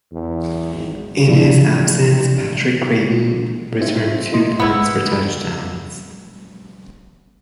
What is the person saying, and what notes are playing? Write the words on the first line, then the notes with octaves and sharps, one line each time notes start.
In his absence, Patrick Crayton returned two punts for touchdowns.
E2
G#1
E3 F3 D4 E4
C4 D#4 F4 C5 E5
E4 A#4 D#5 C6
B3 E4